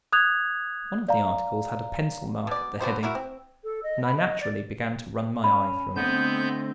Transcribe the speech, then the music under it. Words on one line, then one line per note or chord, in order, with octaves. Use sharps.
One of the articles had a pencil mark at the heading, and I naturally began to run my eye through it.
D#6 F#6 G#6 F7
D5 F5 A#5
B2 D5
D3 B3 F#4 C5
E4 F#4 A#4
C4
A4
D#5
B5
D#5
D5
C#4 B5
D3 A3 B3 C4 D#5 G6